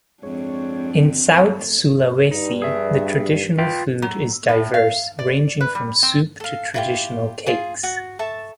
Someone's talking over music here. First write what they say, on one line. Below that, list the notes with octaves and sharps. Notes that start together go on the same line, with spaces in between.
In South Sulawesi, the traditional food is diverse, ranging from soup to traditional cakes.
F2 G#3 C4 D4 C#5
A3
G2 D#4
G#4 E5
F4 B4 G5
F#3
A2
F5
D5
B4
G3
C4
A4 F5
E4 F4 G4
F4 G#4
F#4
A4 E5 A5 C#6